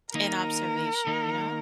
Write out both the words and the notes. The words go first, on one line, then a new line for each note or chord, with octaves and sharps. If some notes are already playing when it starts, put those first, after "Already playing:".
an observation, you know.
D#3 A#3 D#4 A#4
D#3 A#3 D#4